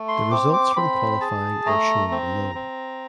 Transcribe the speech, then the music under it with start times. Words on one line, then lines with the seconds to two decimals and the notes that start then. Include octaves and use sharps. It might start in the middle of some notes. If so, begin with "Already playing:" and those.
The results from qualifying are shown below.
Already playing: A3
0.08 C6
0.31 C4 D6
0.53 D6
0.76 C4 B5
1.21 G#4 A5
1.66 A3 A#5
2.11 C4
2.55 C4